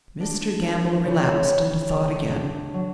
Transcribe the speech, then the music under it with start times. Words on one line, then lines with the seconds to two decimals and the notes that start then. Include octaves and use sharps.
Mr. Gamble relapsed into thought again.
0.21 D4
0.62 A#3
1.05 C#3
1.47 C#3
1.89 D4
2.31 D4
2.74 F#3